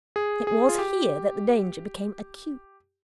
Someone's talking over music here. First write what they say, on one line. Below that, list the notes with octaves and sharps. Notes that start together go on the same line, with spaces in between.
It was here that the danger became acute.
G#4
G#4
F4
G4